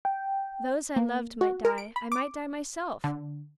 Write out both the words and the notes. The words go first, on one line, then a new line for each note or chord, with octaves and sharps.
Those I loved might die; I might die myself.
G5
A#3
F#4
A#4
D7
B5
D6
D3